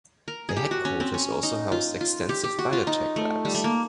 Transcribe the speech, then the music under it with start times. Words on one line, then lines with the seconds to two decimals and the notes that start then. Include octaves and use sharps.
The headquarters also housed extensive biotech labs.
0.28 A#4
0.49 G#4
0.57 G4
0.71 F#4
0.85 C#4
1.00 C4
1.14 C#4
1.43 D#4
1.72 F4
2.01 F4
2.29 G4
2.44 G4
2.59 F#4
2.73 F4
2.87 D#4
3.16 A3
3.45 G3
3.55 A3
3.64 A#3